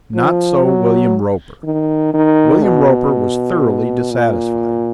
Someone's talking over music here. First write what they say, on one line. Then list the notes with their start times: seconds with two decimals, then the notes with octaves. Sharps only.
Not so William Roper; William Roper was thoroughly dissatisfied.
0.15 F3
0.65 F#3
1.64 D#3
2.14 D#3
2.63 B2
4.11 A#2